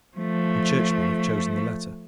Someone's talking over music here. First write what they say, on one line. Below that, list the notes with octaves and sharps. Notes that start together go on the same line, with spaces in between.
And Churchmen have chosen the latter.
F3 A3